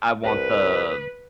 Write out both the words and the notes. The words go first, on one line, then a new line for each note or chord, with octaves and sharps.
I want the the
C2 B4